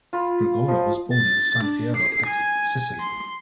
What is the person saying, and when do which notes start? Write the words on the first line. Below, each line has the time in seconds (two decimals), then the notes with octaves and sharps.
Rugolo was born in San Piero Patti, Sicily.
0.13 F4 B5
0.68 F3 D#5
1.13 A6
1.64 D4
1.96 C7
2.27 G#5
3.01 C6